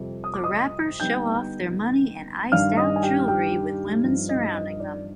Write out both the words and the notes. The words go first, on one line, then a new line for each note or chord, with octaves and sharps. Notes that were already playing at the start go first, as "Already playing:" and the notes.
The rappers show off their money and "iced out" jewelry with women surrounding them.
Already playing: F2 C3 G3 C4
D#6
D6
D#5 D#6
D3 G3 B3 D#4 G5 G6
G2 D#3 G3 D4 F5 F6
D#5 D#6
G#5
G4 G5
G4 G5
G2 F3 C4 D#4
D#5
D#5
D5